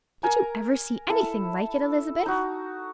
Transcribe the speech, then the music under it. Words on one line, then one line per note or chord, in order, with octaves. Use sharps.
"Did you ever see anything like it, Elizabeth?"
A#4 G#5 A#5
E4 A4 E5
D#4 F#4